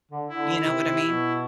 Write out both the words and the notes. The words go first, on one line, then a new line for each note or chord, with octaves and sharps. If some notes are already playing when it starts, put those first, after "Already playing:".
You know what I mean?
D3
D3 E4
C3
C3
B2